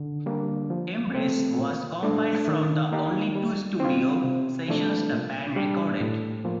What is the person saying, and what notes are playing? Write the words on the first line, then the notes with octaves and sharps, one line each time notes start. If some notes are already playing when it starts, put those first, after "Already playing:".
"Embrace" was compiled from the only two studio sessions the band recorded.
Already playing: D3
G3 A#3 D4
F3
A3 C4
A#2
A3 D4
D#3
A#3 D#4 G4
G3
C4 F4
C3
F3 A3 D4
A#2
G3 D4 G4
A2
F3 A#3 F4